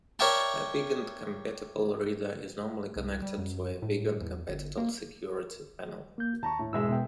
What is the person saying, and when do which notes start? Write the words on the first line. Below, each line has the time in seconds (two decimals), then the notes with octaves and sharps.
A Wiegand-compatible reader is normally connected to a Wiegand-compatible security panel.
0.19 A#4 C#5 D5 E5 G5 A5
2.96 C2
3.22 G3
3.38 F#2
3.82 A2
4.21 E2
4.49 G1
4.77 A#3
6.18 A#3 G6
6.43 D#2 A5 A#5 C#6
6.59 A2
6.73 E1 E2 G#2 G#3 E5 E6
6.89 B2 B3 G5